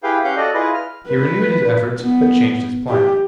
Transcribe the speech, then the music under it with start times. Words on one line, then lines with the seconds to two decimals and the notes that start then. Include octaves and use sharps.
He renewed his efforts, but changed his plan.
0.03 E4 G4 G#4 B4 F5 G5
0.24 C#4 G4 F5 F#5 G6
0.37 F#4 A4 D5 D#5
0.54 E4 F4 G#4 B4 D#5
0.74 F6
1.09 B4
2.00 B3
2.89 G4